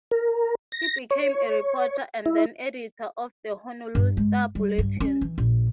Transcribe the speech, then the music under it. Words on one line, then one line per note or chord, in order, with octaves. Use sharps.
He became a reporter and then editor of the "Honolulu Star-Bulletin".
A#4
A#6
C#5
E4
G2
G#3
G3
G2
C#4
E3
A#1